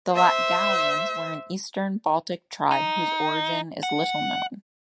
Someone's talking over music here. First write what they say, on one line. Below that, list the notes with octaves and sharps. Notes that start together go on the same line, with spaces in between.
The Latgalians were an Eastern Baltic tribe whose origin is little known.
C5 E5
D#4
F#5